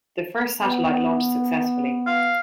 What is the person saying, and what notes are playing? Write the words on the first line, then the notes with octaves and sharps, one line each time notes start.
The first satellite launched successfully.
B3
F5